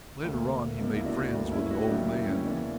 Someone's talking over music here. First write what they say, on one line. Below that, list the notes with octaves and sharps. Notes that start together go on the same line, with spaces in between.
Later on he made friends with an old man.
D2 D3 A#3
C#2 B2 A#3
E4
D4 F#4
D2 D3 A#3 D4
C#4 E4
D4 F#4
G4
D2 C#3 F#3 A#3 D4 F#4
E4 G4
C#4
E2 C#3 E3 A#3 D4